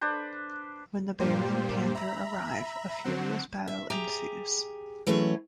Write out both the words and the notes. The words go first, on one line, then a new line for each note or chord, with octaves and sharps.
When the bear and panther arrive, a furious battle ensues.
D4 B4 C5
G2 A#2 G3 A#3 G4 C5
E5 A#5 B5
D3 F#3 C4 F#5 E7
E5
G4 G#4 A#5
E3 F#3 A3 C#4 G#4 C#5